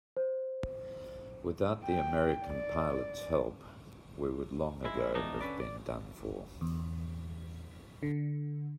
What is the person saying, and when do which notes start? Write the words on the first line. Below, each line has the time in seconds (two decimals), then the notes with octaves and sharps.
Without the American pilots' help, we would long ago have been done for.
0.17 C5
1.85 G5
2.46 D5
4.85 G#3 E4
5.15 E2 F3 G#3 D4 D#4
5.41 D3 C#4 A#4 B4 D5
5.60 D5
6.61 E2
8.03 D3